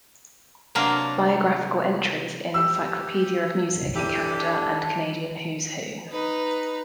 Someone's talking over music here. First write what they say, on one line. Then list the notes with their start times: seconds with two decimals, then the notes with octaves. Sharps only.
Biographical entries in Encyclopaedia of Music in Canada and Canadian Who's Who.
0.75 C3 F#3 A#3 D4 A#4
2.54 G4 E6
3.95 D4 E4 G4 A4 D#7
6.10 D#4 B4